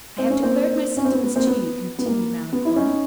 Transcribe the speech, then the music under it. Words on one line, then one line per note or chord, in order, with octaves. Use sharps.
"I have declared my sentiments to you," continued Malicorne.
C4
C#4
A#3 C4
C#4
C4
B3
B3
A#3 C4
B3
B3
A#3
B3
E4
C#4 D#4